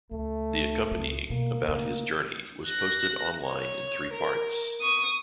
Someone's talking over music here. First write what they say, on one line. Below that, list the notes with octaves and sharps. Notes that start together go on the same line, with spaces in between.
The accompanying about his journey was posted online in three parts.
C#2 A3
C#2 F4
B2 A#3
C#3 A3
F#6 A#6
C#5
A#4
C#6 D#6